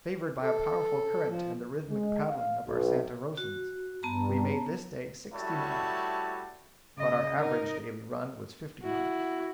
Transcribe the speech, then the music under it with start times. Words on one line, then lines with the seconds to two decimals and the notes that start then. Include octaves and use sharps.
Favored by a powerful current and the rhythmic paddling of our Santa Rosans, we made this day sixty miles; but our average daily run was fifty miles.
0.43 A4
1.29 F3
1.90 G#3
2.30 F5
2.67 B1
3.37 F#4
4.03 G2 B3 A5 A#5
5.33 G3 A3 E4 F#4 C#5 A5
6.97 C#3 D#5
7.39 D#4 A#4
8.83 E4 F#4